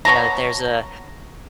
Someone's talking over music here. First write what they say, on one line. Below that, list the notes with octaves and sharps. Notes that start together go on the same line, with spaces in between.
you know, there's a
B3 C#5 A5 A#5